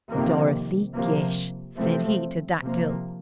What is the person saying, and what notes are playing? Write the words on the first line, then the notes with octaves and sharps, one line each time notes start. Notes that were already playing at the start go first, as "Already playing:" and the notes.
DOROTHY GISH, said he to Dactyl.
F2 C3 D#3 A#3
C3 F3 A#3
C3 F3 A3 C4
C3 F3 A#3